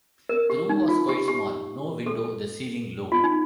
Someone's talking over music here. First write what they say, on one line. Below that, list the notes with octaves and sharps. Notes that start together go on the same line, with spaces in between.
The room was quite small; no window; the ceiling, low.
A#4
G4
D#4
F4
G4
G4
A4
F4
D#4